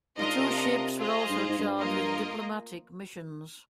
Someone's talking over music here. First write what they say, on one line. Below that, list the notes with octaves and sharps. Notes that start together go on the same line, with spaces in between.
The two ships were also charged with diplomatic missions.
G#2 D4 F4 A#4 D#5
C3
F4 G#4 C5 D#5
G2
G#2
G#2
G2
A#3 F4 A#4 D#5